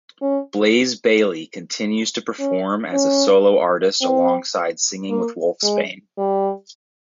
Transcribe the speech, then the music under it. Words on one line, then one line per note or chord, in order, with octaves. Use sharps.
Blaze Bayley continues to perform as a solo artist alongside singing with Wolfsbane.
C#4
C#4
C#4
C4
A#3
G#3
G3